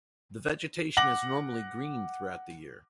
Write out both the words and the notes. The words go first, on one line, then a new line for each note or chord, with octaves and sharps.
The vegetation is normally green throughout the year.
F#5 D6 A#6 F#7